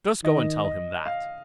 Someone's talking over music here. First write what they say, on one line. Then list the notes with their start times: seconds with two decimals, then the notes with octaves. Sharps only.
Just go and tell him that.'
0.24 D#3 D#5
0.64 D#5
1.06 F5